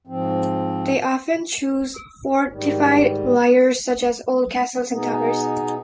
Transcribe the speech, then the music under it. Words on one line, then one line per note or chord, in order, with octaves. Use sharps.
They often choose fortified lairs such as old castles and towers.
G#2 F3 C4
G#2 D#3 G3
B2 B3 D#4 G#4